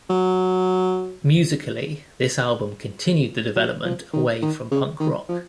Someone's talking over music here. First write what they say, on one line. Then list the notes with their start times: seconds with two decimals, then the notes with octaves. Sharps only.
Musically this album continued the development away from punk rock.
0.10 F#3
3.56 F#3
3.85 F3
4.14 D#3
4.42 D#3
4.71 C#3
5.00 D#3
5.29 F3